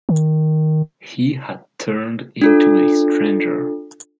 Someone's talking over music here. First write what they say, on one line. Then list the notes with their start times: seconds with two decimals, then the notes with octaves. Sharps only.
He had turned into a stranger.
0.09 D#3
2.41 D4 F4 A4